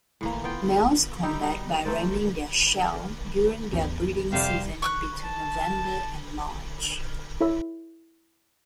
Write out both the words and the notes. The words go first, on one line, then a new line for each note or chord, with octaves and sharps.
Males combat by ramming their shell during their breeding season between November and March.
A2 E3 A#3
B3 F4 G5
G3 D#4 E4 G4
G3 D#4 F#4
A3 A#3 C5 D5
A1 E2
F2 C3 G3 G4 C5 F5
C#6 E6 F#6
A5
E4 A4 C#5 E5 B5 E6